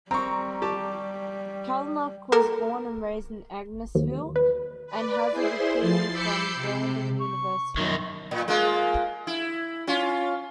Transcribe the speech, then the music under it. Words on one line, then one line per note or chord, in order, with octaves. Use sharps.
Kalynuk was born and raised in Angusville, and has a degree from Brandon University.
G3 C4 A#5 C#6
G4 A5
A#3 A4 A#4
D#2
B4
B4 D5
E4 G#4 C5 C6
F3 A6 C7
B5 D6 E6 G6 C7 C#7
C3
C#6
F#2 D#3
A2
G#3 A#3 F4
E4
C#4 F4